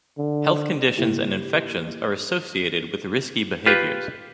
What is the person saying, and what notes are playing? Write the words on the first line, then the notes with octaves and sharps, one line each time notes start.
Health conditions and infections are associated with risky behaviors.
D3
G#2 C#3 A#3 E4 G4
F4 G4 B4